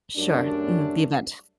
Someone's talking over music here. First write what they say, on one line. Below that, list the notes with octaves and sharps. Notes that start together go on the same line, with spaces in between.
Sure, mhm, the event.
F#2 G3 A3 D4